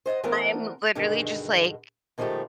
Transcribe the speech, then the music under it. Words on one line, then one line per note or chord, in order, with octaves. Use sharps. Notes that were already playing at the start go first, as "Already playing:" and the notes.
I'm literally just like
C5 D#5 E5 F#5
E3 A3 B3 D4 A#4 C5
G2 B2 D3 D#3 G#3
B2 D#3 F3 G#3 A3 G4